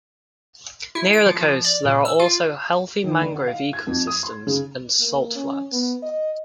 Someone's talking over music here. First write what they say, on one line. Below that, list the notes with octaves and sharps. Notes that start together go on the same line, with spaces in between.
Nearer the coast there are also healthy mangrove ecosystems and salt flats.
E4
D7
F3
F3
D5
A#2
E6
F4
D#3
D3
F#5
F5
G#6
F2
D#6
C6
C#3
A#3
C#4
B3
D#5